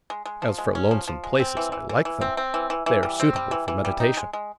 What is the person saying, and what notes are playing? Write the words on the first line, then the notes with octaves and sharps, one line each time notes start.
As for lonesome places, I like them: they are suitable for meditation.
G#3
G#3
F3
G#3
C#4
F3
F3
G#3
C4
E3
E3
E3
E3
C4
C4
E3
E3
E3
G3
C4
G3
E3
E3
G3
D#4
G#3
G#3